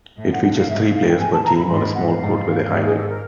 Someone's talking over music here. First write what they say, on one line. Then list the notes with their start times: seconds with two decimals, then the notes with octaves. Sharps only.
It features three players per team on a small court with a high net.
0.18 A2 E5
0.31 F#5
0.43 F#5
0.56 F5
0.68 G#2 E5
0.81 F5
0.94 F5
1.06 G5
1.18 A2 G#5
1.31 A5
1.44 A#5
1.56 B5
1.69 G#2 C6
1.81 B5
1.94 F#5
2.06 F5
2.18 G#2
2.68 G#2 G4
2.83 G#4
2.95 A4
3.07 A#4